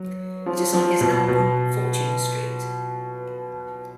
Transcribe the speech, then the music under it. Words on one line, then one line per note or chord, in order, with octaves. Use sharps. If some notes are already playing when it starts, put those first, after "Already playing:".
It is on his album, Fortune Street.
Already playing: F#3
F3
F3
B2
B2